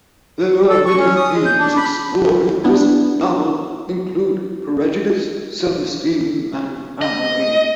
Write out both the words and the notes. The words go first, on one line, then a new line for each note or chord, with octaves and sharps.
The many themes explored in this novel include prejudice, self-esteem and family.
A4
C#6
C#4
D#6
G#3
G6
D4
B5
B3 D4 E4
D#5